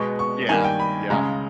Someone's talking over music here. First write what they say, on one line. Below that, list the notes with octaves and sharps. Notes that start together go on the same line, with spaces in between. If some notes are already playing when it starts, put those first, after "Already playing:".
Yeah, yeah.
Already playing: B2 G#3 B3 C#6
C#6
G2 D#3 G3 A#3 G#5
G5
B5
C#2 C#3 G#3 A#5